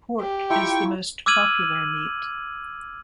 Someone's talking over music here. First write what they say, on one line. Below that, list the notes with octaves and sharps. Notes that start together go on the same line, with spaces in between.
Pork is the most popular meat.
G4
E4 F4 G5 A#5 C#6
D6 E6 F6 G#6 D#7 F#7